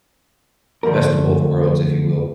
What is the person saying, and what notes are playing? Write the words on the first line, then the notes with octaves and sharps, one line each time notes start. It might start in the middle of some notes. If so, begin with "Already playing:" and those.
Best of both worlds, if you will.
D3 F3 A3 A#3 A#4